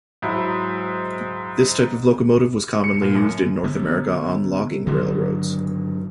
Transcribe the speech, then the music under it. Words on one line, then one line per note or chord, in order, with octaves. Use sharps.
This type of locomotive was commonly used in North America on logging railroads.
G#2 F#3 E4 B5
C#7
A#2
F#2
D3 B3
G2 D3 D#3 F#3